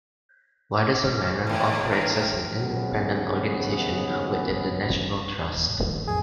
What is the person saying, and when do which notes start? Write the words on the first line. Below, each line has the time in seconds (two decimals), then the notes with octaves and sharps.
Waddesdon Manor operates as an independent organization within the National Trust.
0.87 G4
1.04 G3
1.18 C#4
1.47 D#2 A2
1.91 F4 G#4 A#4
2.55 D#2 G#2 C#3 F#3 B3
5.53 E1
5.66 C2 G#2
5.88 D#3 F3 G3
6.07 F2 A2 B3 G#4